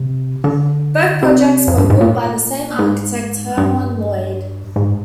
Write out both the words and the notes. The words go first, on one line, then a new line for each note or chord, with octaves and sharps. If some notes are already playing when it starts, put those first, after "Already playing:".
Both projects were built by the same architect, Hermon Lloyd.
Already playing: C3
D3
C3
F2
G2
G#2
A#2
G#2
G2
G#2